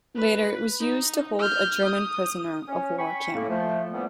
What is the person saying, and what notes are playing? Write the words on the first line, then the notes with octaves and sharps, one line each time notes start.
Later it was used to hold a German prisoner-of-war camp.
B4
D#4
F6 G6
D#6
C#4
G5 G#5 B5 C#6
A2 A#3
F3 A3
D3 E3 F3 G3 A#3 B3